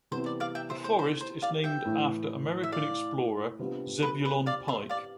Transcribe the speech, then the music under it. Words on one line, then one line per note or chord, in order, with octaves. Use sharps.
The forest is named after American explorer Zebulon Pike.
C3 E3 G3 B3 C5
D5
D5 F5
E5 G5
C5 E5
C5
C5
C5
D5 F5
E5 G5
A2 E3 A3
E5
D5 F5
C3 G3 B3 D4 F4
B4
B4
D5 F5
C5 E5
D5 F5